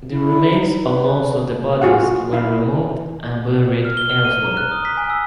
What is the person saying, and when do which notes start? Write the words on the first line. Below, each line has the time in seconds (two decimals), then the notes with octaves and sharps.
The remains of most of the bodies were removed and buried elsewhere.
0.11 E4
0.53 D#4
0.82 B4
1.81 F4 F#4 G#4 F#5
2.33 E4 F5
3.85 F6
3.97 G7
4.09 F6
4.25 D#7
4.44 A#5
4.57 F#6
4.71 D#6
4.85 B6
4.97 G#5
5.10 E6